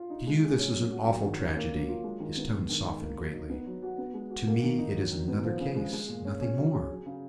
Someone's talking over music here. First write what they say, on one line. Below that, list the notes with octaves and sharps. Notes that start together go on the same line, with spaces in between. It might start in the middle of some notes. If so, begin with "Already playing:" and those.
To you this is an awful tragedy," his tone softened greatly, "to me it is another case, nothing more.
Already playing: F4
D#4
G#3
G#4
C#4
F#3
F#4
F#3
D#3
C#4
A#3
F#3
F4
G#3
D#3
B3
G#3
D#3
D#4
A#3
F#3
D#4
B3
F#3
F#4
B3
G#3
F#4
A#3
D#3
D#4
F#3
D#3
B3
F3
C#3
G#3
G#3
A#2
C#4
C#4
F#3
G#4
F#3
C#3